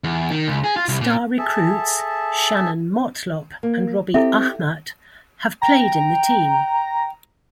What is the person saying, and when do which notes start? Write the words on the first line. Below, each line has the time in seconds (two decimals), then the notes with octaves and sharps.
Star recruits, Shannon Motlop and Robbie Ahmat, have played in the team.
0.04 E2
0.30 D#3
0.48 C#2
0.64 G#4
0.76 F4
0.88 C2
1.02 A#2
1.38 G#4 A4 E5 A5
3.63 A#3
4.14 C4 E4 G4 A4 E5
5.62 G5 A#5